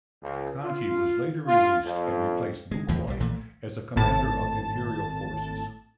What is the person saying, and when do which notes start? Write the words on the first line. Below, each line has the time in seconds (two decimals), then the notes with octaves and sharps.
Conti was later released and replaced Bucquoy as a commander of Imperial forces.
0.22 C#2
0.64 F4
1.46 F4
1.85 F2
2.71 G#3
2.88 E2 A2 E3 F3
3.07 B1 F#3 G3
3.20 A#1 A#2 E3 A3
3.96 G#1 A2 A5